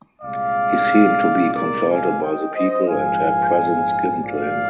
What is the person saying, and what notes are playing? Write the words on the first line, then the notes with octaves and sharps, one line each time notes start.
He seemed to be consulted by the people and had presents given to him.
C2 A#2 G#3 D5 F5
A#4 D5
F5 G#5
D#5 G5
C5 D#5
A#1 G#2 F3 G#3 F5 G#5
D5 F5